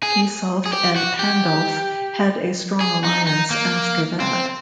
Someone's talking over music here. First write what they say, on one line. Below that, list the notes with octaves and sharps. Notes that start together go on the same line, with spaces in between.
Gisulf and Pandulf had a strong alliance after that.
G#4
G#4
G4
F#4
G4
G#4
D#4
D#4
A#3
C4